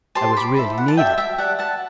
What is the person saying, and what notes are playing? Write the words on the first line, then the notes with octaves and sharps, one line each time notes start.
I was really needed.
G4 C5 A5 C6
B5 D6
E4 A4 C5
F#5
A5
F#4 A4 D5 E5 G5
E5 G5
G4 D5 F#5 A5
F#5 A5